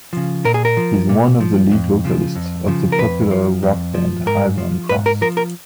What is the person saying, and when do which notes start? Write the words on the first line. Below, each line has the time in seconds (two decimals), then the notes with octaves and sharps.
He is one of the lead vocalists of the popular rock band Iron Cross.
0.13 C#3 F3
0.45 A#2 A#4
0.54 G#4
0.65 A#4
0.77 F3
1.09 A#2
1.40 F3
1.72 F2
2.04 C#3 F3
2.35 F2
2.68 C#3 F3
2.92 A#4
2.98 F2 B4
3.31 F3
3.63 F2
3.95 F3
4.26 G#2 A#4
4.58 F3
4.89 G#2 B4
5.06 A#4
5.21 F3 A#4
5.37 A#4